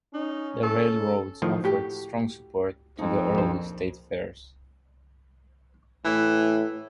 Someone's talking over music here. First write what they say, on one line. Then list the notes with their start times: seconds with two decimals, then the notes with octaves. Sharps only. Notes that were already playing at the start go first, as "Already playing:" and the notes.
The railroads offered strong support to the early State Fairs.
0.14 C#4 D#4
0.63 A4
1.42 A2 D#3 F3
1.64 A2 F#4 G4
2.98 F2 D#4
3.35 A#1 C5
6.05 A2 E3